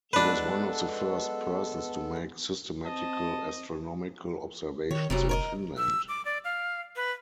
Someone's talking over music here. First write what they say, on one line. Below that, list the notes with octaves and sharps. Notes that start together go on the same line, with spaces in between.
He was one of the first persons to make systematical astronomical observations in Finland.
G#3 B3 D4 A4 B4
C4 D#5 A5
D#3 C#5
F1 C3 F#3 G3
A#4 C#5 D#5
E6
D6
D5
F5
B4